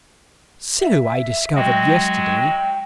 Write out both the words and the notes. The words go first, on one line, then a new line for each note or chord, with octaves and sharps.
So I discovered yesterday.
E5
F#3 G#3 F#4 G5
G5